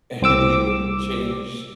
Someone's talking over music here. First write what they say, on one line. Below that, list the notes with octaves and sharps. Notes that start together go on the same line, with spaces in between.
And he would change
C2 C4 D6 E6